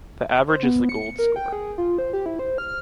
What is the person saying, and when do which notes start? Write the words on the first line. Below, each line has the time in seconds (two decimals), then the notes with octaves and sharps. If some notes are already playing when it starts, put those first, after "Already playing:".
The average is the Golde score.
0.48 C5
0.63 B3
0.89 C#7
1.19 A#4
1.36 G5
1.53 G#4
1.78 F4
1.98 C5
2.13 G4
2.26 E4
2.39 C5
2.58 F6